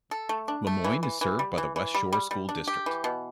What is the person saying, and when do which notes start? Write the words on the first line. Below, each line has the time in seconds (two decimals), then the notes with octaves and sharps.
Lemoyne is served by the West Shore School District.
0.11 A4
0.29 A3
0.48 D4
0.67 A3
0.84 E3
1.03 E3
1.21 E3
1.39 G3
1.58 E3
1.76 E3
1.94 G3
2.13 G3
2.31 G3
2.49 D4
2.67 G4
2.86 E3
3.04 B2